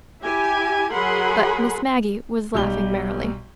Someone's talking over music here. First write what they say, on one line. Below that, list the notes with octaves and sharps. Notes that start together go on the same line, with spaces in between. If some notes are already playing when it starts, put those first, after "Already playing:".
But Miss Maggie was laughing merrily.
E4 G4 G#5
F#3 G#4 A#4 F#5 B5 C6
B1 G3 G4 G7